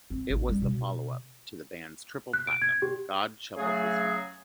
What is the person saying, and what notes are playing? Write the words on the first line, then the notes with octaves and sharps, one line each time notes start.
It was the follow-up to the band's triple-platinum "God Shuffled His Feet".
C4
A1
G3
B2
F#6
D7
G#6
G4
C#3 F#3 A3 F#4 G#4